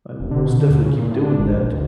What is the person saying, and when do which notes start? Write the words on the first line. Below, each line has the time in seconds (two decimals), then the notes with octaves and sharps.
I will most definitely keep doing that.
0.20 E1
0.31 D3
0.45 B2
0.59 D3
0.71 D2
0.84 C#3
0.98 A#2
1.10 A2
1.24 D4
1.39 G1
1.51 A#1
1.72 D2